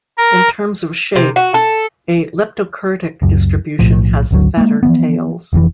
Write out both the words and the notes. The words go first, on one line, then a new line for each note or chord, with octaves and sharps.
In terms of shape, a leptokurtic distribution has "fatter tails".
A#4
C3
F#4
A4
C#2 F#2
B1 A2 F3
G#1 D2 F#3
G#3 A#3
E3 F3 B3
F1 F2 A2 E3